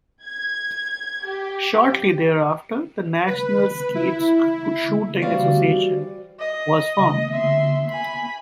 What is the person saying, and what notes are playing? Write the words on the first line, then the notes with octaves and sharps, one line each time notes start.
Shortly thereafter, the National Skeet Shooting Association was formed.
G#6
G4
B4
E4
E3 G3 F#4 C5 D5 F5
D#5
E5 C6
G#5 B5